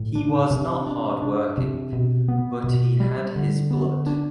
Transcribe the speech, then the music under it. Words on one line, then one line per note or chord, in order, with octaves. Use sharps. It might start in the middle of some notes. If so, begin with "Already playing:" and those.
He was not hardworking, but he had his blood.
Already playing: A2
D4
C3
D4
D4
C3
B2
B3
B2
G3
D3
B3
D4